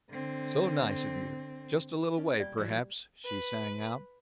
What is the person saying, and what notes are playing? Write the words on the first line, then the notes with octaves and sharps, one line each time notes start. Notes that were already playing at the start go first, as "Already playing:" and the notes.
"So nice of you--just a little way, perhaps?" she sang out.
D3 C4
C#4 D4
A#2 G3 G4 D5
E3 F#3
B4